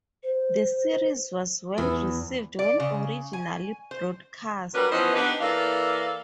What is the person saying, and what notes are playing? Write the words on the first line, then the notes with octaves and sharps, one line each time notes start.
The series was well-received when originally broadcast.
C5
E2
D5
C#3
G#5
C5
F#3 G3 D4 A#4 B4
E3 F3 B3 C#4 C5 D#5
B3 D4 D#4 G4 B4
E3 A#3 A4 D5 F5